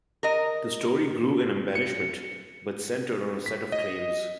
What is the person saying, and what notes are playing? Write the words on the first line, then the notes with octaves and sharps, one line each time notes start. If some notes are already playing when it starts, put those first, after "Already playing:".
The story grew in embellishment but centred on a set of claims.
A#4 D#5
C#7
B6
D#5